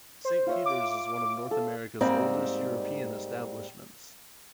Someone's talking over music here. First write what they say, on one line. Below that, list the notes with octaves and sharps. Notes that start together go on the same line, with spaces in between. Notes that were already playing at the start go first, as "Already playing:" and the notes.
Saint Peter's is one of North America's oldest European establishments.
C5
F4 C#5 E5
D6
A4
G#2 G3 A#3 C4 D5 D#5